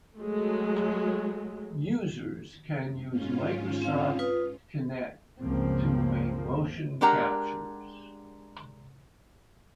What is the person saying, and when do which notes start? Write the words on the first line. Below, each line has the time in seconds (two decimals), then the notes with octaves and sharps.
Users can use Microsoft Kinect to make motion captures.
0.17 F#3 G#3 A3
3.09 G#2 C#4 F4
3.82 C4 F5
4.19 F4 B4 D#6
5.41 C#2 G2 C#3 F3 A#3 C4
7.01 G#3 D4 G4 A#4 F#5 A#5